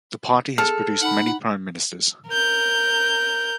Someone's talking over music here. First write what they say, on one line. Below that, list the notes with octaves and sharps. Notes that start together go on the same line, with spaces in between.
The party has produced many Prime Ministers.
G#4 A4 F6
D#4 F#5 B5
A#4 G6